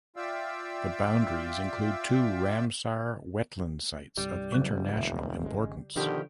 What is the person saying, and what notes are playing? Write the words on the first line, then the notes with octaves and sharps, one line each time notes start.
The boundaries include two Ramsar wetland sites of international importance.
F4 D5 E5 F5 G5 E6
C2 G2 G3
F1 C#3 F#3
C#2 A#2 D#3 E5
G#1 C#3 G#3
B2 D3 D#3 F3 G4